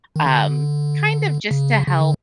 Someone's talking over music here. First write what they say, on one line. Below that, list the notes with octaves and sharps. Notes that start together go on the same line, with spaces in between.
Um, kind of just to help
D#3
D3
C#3
C#3
D3